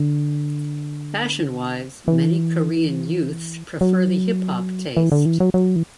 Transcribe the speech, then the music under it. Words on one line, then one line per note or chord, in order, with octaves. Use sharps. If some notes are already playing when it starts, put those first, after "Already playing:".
Fashion wise, many Korean youths prefer the hip hop taste.
Already playing: D3
E3
F#3
E3
D3
E3
F#3
F#3
E3